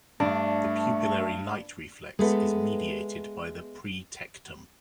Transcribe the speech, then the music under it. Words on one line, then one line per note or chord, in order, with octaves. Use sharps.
The pupillary light reflex is mediated by the pretectum.
G2 A3 D4
G#3 A3 B3